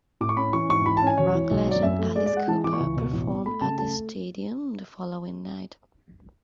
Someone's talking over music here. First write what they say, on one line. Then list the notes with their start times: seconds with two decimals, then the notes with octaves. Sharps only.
Rock legend Alice Cooper performed at the stadium the following night.
0.21 A2 D6
0.29 C#6
0.36 C#4 B5
0.53 E3 C#6
0.69 G#2 C#6
0.86 E3 B5
0.97 A5
1.02 C#4 G#5
1.18 E1 C#5
1.35 E3
1.51 B1
1.67 F#3 D5
1.83 F#2 E5
1.99 A3
2.15 G#3 D5
2.26 D5
2.32 G#3 F#5
2.48 E3 A5
2.64 E3 D6
2.73 C#6
2.80 C#2
2.96 B2
3.13 A1
3.28 B3
3.45 A3 B5
3.61 C#3 A5
3.78 A3 A5